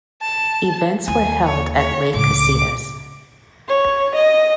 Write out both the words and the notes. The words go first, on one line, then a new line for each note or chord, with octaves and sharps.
Events were held at Lake Casitas.
A5
D#2 G#5
C#5
C#5
C#2 A2 D6
C#5
D#5